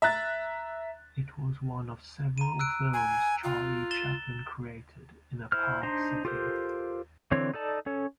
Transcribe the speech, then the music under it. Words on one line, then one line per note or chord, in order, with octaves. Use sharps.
It was one of several films Charlie Chaplin created in a park setting.
E5 A#5 F#6 A6
A#5 D#7
E6 F#6 D7
G#5
F4
A6 E7 G7
E4 C5 F6
D4 D#4 C5 A#5 C6
F4 G4 A4 A#4 C5
D3 E3 C4 C#5
D#4 A4 D5 A5
C#4 A4 C#5